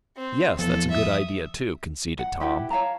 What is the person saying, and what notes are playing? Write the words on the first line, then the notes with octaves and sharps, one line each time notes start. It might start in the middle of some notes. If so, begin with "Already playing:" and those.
"Yes, that's a good idea, too," conceded Tom.
C4
E2 F3 A4
E5 D#6
F#5
E4 G4 B4 F#5
C#5 F5 A5 A#5